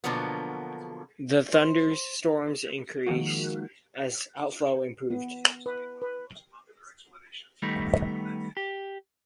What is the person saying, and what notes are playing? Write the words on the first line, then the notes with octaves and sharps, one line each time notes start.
The thunderstorms increased as outflow improved.
B2 D3 F3 F#3 A#3 B3
C5
D#3 F3 G#3 A#3 F#4
B3
B4
B4
D#3 G3 A3 B3 D#4
G4